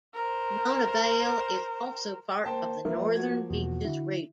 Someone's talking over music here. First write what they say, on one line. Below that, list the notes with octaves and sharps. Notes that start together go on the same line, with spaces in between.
Mona Vale is also part of the Northern Beaches region.
A#4 C5
A#3 C5 G5 A5
F3 A#3 A#4 B4 E5
F#4 G#6
E2 B2 F#4
D3 E4